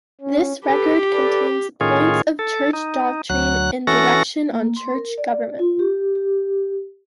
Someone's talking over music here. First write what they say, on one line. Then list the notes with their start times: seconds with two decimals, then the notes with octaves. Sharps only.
This record contains points of church doctrine and direction on church government.
0.21 C#4
0.65 G4 A4 B4
1.12 A4 B4 D5
1.81 A2 D#3 C#4 F4 G#4
2.39 A4
2.73 D#4
3.30 D2 F#3 F#6
3.87 E3 C#4 F#4 A4 A#6
4.52 A#3
4.76 C6
4.95 A#4
5.18 D5
5.59 F4
5.79 G4
6.15 G4